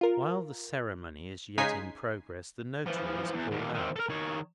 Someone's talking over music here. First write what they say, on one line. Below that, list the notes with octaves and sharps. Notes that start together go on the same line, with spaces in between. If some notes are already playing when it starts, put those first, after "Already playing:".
While the ceremony is yet in progress, the notary is called out.
F4 A#4
C#3 G#3 D#4 G#5 B6 C7
E3 F3
E2
D#2 A#2
D#3 C4
A4 A#4
D#3 C#5